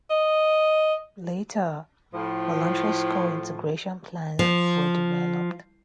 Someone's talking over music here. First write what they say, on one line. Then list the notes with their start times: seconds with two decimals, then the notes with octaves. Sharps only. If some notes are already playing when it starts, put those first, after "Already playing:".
Later, voluntary school integration plans were developed.
0.10 D#5
2.14 A2 F3
4.39 F3